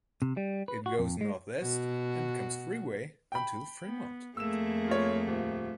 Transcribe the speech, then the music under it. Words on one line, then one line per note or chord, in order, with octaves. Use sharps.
It goes northwest and becomes freeway until Fremont.
C3
G3
B4
F#4
F2
G#3
B2 F#4
G5 B5
B3
F2 A3 A#3 G#4 E6 E7
F4 C#5
D#1